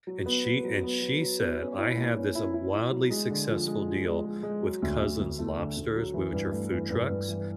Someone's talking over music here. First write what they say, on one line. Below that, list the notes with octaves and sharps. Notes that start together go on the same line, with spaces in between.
and she and she said, "I have this wildly successful deal with Cousins Lobsters, w which are food trucks.
F#3
B3
F#3
F#3
B3
F#3
F#3
B3
C#4
E4
A#3
C#4
E4
E4
E4
F#3
G#3
D3
F3
G#3
F3
G#3
G#3
G#3
F#3
D2
D2
D2
A3
D3
D2
F#3
E3
G2
A3
E3
G2
G2
E3